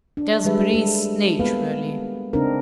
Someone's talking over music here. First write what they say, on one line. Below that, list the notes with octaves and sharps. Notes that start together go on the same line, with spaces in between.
"Just breathe naturally."
D4
G3 G#3 B4 E5
G#3 A4
A#3 B3 A4 B4 F5
C#3 C4 D4 D#4 A#4